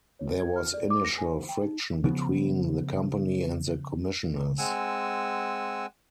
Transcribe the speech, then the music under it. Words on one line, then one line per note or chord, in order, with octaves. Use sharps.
There was initial friction between the company and the commissioners.
C#5
G#6
F6
D5
D6
A#6
G#5
C5
G5
D#4
C#3 F3 B3
G#3 C4 F#5 G#5 E6